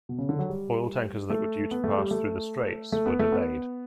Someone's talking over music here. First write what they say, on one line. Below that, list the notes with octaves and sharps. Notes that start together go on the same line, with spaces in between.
Oil tankers that were due to pass through the straits were delayed.
B2
C#3
D3
F#3
G3
A3
B3
A3
G3
A3
A3
B3
A3
B3